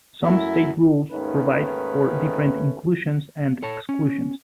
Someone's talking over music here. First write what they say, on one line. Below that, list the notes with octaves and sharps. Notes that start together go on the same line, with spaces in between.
Some state rules provide for different inclusions and exclusions.
F#2 A3 E4
D#2 G#2 D#3 A3 C#4 B4
A4 C#5 A5
C#4